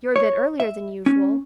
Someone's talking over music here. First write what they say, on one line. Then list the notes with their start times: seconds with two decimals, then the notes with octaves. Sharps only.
"You're a bit earlier than usual."
0.16 C#5
0.60 E5
1.06 C#4